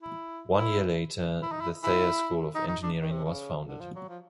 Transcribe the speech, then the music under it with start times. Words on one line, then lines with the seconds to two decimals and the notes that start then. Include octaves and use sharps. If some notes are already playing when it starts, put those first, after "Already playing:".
One year later, the Thayer School of Engineering was founded.
0.02 E4
0.58 E4
1.43 E4
1.52 D#4
1.61 E4
1.83 E4
2.55 D#4
2.68 D#4
2.83 D4
3.02 D#3
3.10 C3
3.24 C#3
3.67 D3
3.80 F3
3.95 F#3
4.08 F3